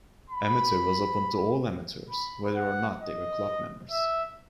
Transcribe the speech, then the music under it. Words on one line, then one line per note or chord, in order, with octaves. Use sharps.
Amateur was opened to all amateurs, whether or not they were club members.
B5
B5
F#5
D#5
E5